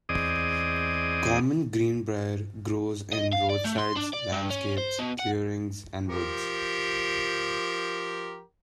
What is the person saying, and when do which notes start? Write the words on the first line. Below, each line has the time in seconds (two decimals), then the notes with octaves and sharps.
Common greenbrier grows in roadsides, landscapes, clearings and woods.
0.09 E2 C4 G#4 D5 D#5 D#6
3.13 D#5
3.33 F5
3.50 D5
3.65 A3
3.79 C6
3.97 D4
4.14 D5
4.32 G2
4.50 C#4
4.78 C5
4.99 B2
5.19 F#5
6.09 F3 G4 A#4